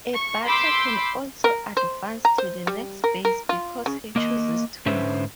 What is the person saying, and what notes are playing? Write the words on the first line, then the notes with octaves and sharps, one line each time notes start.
A batter can also advance to the next base because he chooses to.
C#6
B5 C6 D6 E6 G6
A#4
C5
A#5
C5
G3
A#4
A#4
F4
C#3
A#3 D#5
G#2 D3 C#4 B4 C5 E5